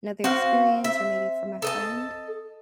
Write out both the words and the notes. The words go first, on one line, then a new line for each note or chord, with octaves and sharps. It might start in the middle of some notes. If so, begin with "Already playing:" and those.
another experience or maybe from a friend?
C4 F#4 F5
E5
A4 D#5 A5